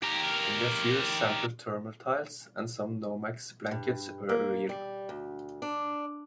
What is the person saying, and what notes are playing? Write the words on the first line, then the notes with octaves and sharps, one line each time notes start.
Only a few sample thermal tiles and some Nomex blankets were real.
G4 A#4
G2
A#3
G3
D2
D4